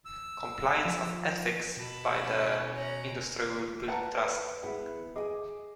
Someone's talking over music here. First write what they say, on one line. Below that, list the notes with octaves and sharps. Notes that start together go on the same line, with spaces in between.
Compliance of Ethics by the industry will build trust.
E6
F3
B2 A5 B5
C#4
C#5 F#5 A#5
B4 F#5 A5 A#5
B3 E4 G#4 F#5
G#4 D#5 G5 G#5 D6